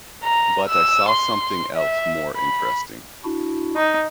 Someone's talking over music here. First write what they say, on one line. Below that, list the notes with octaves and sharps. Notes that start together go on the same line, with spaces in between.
But I saw something else more interesting.
A#5
E6
C6
E5
B5
D4 E4 F#4
D#4